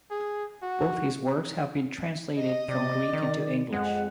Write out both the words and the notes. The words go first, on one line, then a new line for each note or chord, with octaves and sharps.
Both his works have been translated from Greek into English.
G#4
F#4
D#5
C3 D5
D#3
F2 G#3 F#5